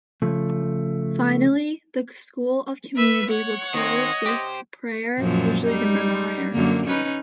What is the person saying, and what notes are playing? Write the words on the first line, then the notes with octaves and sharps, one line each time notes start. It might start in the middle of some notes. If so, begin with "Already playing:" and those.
Finally, the School of Community will close with prayer, usually the Memorare.
C#3 F3 A3
B4 E5
C#5 F#5
D#3 C4 D#5
G4 C5
F#2 A#2 F3
G3 D#4
F#2 D3 A#3
C#4 D#4 B4